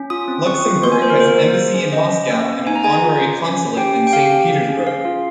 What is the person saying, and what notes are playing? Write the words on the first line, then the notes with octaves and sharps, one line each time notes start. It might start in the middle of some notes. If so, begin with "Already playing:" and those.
Luxembourg has an embassy in Moscow and an honorary consulate in Saint Petersburg.
Already playing: C#4
F4 D#6
C4
C4 C#6
F4
A#3 C6
G#5
F4 C5
A#4
A#3 C5
A#3
G#4
C#4
C#4 D#5
C#4
A#3
A#3
D#4 G#5
A#5
G#4 G#5
F4
C#4
C#4
C#4
G4 G5
C#4
G5
G4 F5
C#4
G#4
C#4
G#4 F5
F4